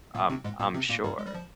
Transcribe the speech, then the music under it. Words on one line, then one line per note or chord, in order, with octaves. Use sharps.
I'm I'm sure.
A#2 A#3
C3 C4
G#2 G#3
A#2 A#3
C3 C4
A#2 A#3
G2 G3
G#3
G3
F3